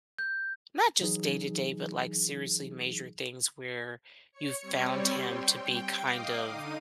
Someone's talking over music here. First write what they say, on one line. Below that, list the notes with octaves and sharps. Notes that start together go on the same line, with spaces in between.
not just day to day, but, like, seriously major things where you found him to be kind of
G6
E3 F#3 D#4 G#4
C#5 C#7
G3 C4 C#5
G5 C6
G5
D#5 F5 D6 D#6 C7
D3 D#4 D#7